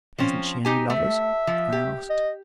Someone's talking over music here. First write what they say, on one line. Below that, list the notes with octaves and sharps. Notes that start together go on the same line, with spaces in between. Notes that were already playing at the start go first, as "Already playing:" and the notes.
"Hasn't she any lovers?" I asked.
F3 C4 C#4
D#4 G4 G#5
A3 E5
F3
G4
D#5